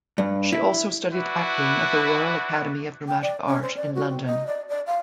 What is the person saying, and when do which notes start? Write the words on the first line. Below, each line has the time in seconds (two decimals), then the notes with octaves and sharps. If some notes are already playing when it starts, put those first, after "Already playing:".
She also studied acting at the Royal Academy of Dramatic Art in London.
0.18 G2
0.52 E4
1.14 D4 E4 F#4 B4
3.08 G5
3.22 D5
3.47 C#4
3.62 C5
3.76 D5
3.95 F#4
4.09 C4
4.25 D#5
4.47 D5
4.69 D5
4.87 F5